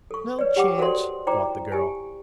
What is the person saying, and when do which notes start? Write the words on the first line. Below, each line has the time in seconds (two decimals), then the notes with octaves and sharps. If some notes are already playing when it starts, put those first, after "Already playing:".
"No chance," thought the girl.
0.11 A4 C#6
0.39 B4 C#5 D5
0.56 G4 F#5 G5 D6
0.78 F#4 A4 A#4 C5 D5 C6
1.27 E4 C5 D5 G5 A#5 D6
1.72 G4 G#5